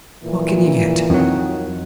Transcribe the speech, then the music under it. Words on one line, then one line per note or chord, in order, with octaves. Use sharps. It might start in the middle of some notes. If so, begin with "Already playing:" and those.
"What can you get?"
A#2 E3
F2 D#3 F#3 C4